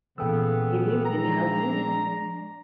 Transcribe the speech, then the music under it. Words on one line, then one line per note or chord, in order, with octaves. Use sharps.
He lives in Helsinki.
A#2 C#3 E3 B3 A4 G5 E6
F3 G#3 D4 G#4 A#5